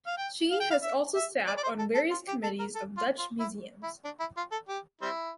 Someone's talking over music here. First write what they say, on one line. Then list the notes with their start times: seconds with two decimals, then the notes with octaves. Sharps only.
She has also sat on various committees of Dutch museums.
0.07 F5
0.18 G5
0.51 F5
0.60 G5
0.71 F5
0.83 E5
1.15 E5
1.47 D5
1.58 D5
1.63 C5
1.79 A4
1.95 A4
2.11 F4
2.28 G4
2.43 A4
2.59 A#4
2.75 A4
2.97 F4
3.19 F4
3.40 E4
3.83 E4
4.05 D4
4.20 E4
4.37 F4
4.52 A4
4.68 G4
5.01 G3 C4 E4